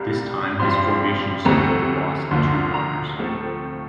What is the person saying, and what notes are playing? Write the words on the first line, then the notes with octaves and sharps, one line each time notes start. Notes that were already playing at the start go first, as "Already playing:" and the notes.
This time his formation suffered the loss of two bombers.
Already playing: C2 C3 G3 A#3 D4
G2 F3 C4 C6
D2 C3 E3 A3 C4 A#5
D2 D3 F3 A#3 C6
A#5
A2 F3 A3 C4